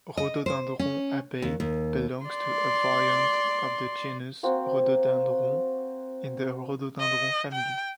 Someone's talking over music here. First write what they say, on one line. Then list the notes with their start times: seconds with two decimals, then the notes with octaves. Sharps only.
Rhododendron haibei belongs to a variant of the genus rhododendron in the rhododendron family.
0.17 D#5
0.46 C5
0.79 C#4
1.42 D#2
1.60 D#2
2.26 D5 C6
4.43 A#3 C4 F#4
7.00 D#5
7.52 G5